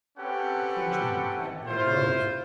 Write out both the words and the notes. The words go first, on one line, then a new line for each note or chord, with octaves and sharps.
The cringing fat boy rose.
C4 C#4 G4 A4 B4 F#5
E4 F4 C5